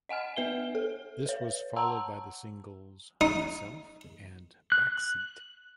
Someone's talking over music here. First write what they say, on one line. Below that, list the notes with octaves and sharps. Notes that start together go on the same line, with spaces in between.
This was followed by the singles "Myself" and "Backseat".
D#5 F#5 G#5 F6
B3 B4 E5 G7
A4
B4 C#5
F#5 A5 A#5 C6 E6
D#4
F#6